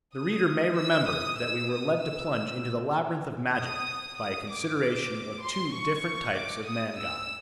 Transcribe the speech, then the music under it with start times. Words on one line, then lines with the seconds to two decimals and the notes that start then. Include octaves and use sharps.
THE READER may remember that we were led to plunge into the labyrinth of magic by a consideration of two different types of man-god.
0.15 D#6
0.77 E6
1.08 D#6
1.39 E6
1.70 D#6
2.01 E6
2.32 E6
3.56 D#6
4.18 D#6
4.50 D6
4.80 D6
5.43 C6
5.73 C#6
6.36 D6
6.66 D#6
6.97 E6